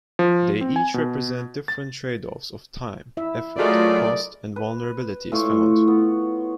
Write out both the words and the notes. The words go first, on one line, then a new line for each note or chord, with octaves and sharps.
They each represent different tradeoffs of time, effort, cost and vulnerabilities found.
F3
C4
G#5
B2
A6
E4 E5
F#3 A3 F4 G#4 A#4 D5 D#5
B4
A2 F4 C#5
B3